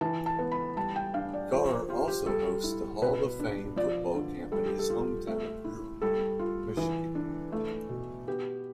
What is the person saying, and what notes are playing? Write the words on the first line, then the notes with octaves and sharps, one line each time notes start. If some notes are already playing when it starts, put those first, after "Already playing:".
Carr also hosts the Hall-of-Fame Football Camp in his hometown of Riverview, Michigan.
E3 A5
A5
B3
B5
G3 A5
G5
D4 F5
D5
F3 C5
F4 G4
G4
G3 A4
E4
B2 B4
D4
F3 D5
D3
G3 A4
G4
A4
F4
A3 E5
E4
G3 A4
F4
E3
D4
A3
B2
B3 G4